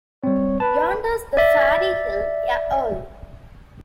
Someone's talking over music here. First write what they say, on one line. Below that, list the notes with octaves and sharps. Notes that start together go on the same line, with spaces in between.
Yonder's the Fairy Hill a' alowe.
G3 C4 C#5
B4 A5
D5 E5